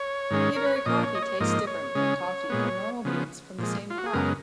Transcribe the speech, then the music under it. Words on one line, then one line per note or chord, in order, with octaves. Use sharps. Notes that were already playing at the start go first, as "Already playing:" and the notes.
Peaberry coffee tastes different than coffee from normal beans from the same crop.
Already playing: C#5
G#2 D#3 G#3 C#4
A#4
B4
C#5
A#2 F3 A#3 D#5
C#5
D#5
C#5
G#2 F3 A#3 D#5
C#5
C#3 G#3 C#4
A#2 G#3 B3
C#3 F3 B3
A#2 F3 G#3
F4
F#4
G#4
F#2 C#3 G#3 B3 A#4